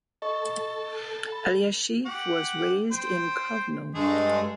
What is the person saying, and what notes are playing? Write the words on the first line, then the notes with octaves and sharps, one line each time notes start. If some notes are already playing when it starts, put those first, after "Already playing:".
Elyashiv was raised in Kovno.
A4 D#5 C#6
B5
G4 F#5
C5 G5
G2 G#3 A3 G#4